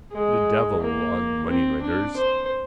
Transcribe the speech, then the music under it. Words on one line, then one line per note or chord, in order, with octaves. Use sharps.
The devil on moneylenders.
G#3
A#3
C4
D4
C5